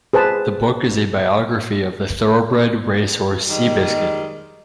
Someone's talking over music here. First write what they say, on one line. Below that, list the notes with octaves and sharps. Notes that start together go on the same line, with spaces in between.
The book is a biography of the Thoroughbred racehorse Seabiscuit.
G#4 B4 C5 A5
D#3 G3 G#3